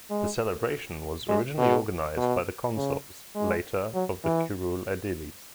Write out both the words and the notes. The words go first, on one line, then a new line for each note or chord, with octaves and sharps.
The celebration was originally organized by the consuls, later of the curule aediles.
G#3
G#3
B2
B2
C#3
G#3
F#3
E3